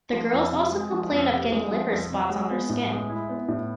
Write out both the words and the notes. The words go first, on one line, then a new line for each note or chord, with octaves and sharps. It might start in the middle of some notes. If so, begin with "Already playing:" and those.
The girls also complain of getting liver spots on their skin.
F3
F2
C3
G#3
F3
F2
C3
G#3
F3
F2
C3
G#3
B3
A2
G#3
E4
B3
A2